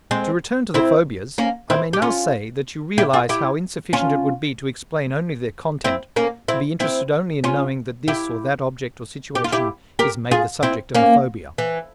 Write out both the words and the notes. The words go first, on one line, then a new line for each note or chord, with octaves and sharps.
To return to the phobias, I may now say that you realize how insufficient it would be to explain only their content, to be interested only in knowing that this or that object or situation is made the subject of a phobia.
G#3 C4
C4 E4
A#3 C#4
C4 E4
G4
C#4 F4
E4 G4
F4 G#4
E4 G4
C#4 F4
C4 E4
A#3 C#4
C4 E4
C4 E4
C#4 F4
E4 G4
G4
F4
E4 G4
G4 A#4
F4 G#4
C4 E4
A#3 C#4
E3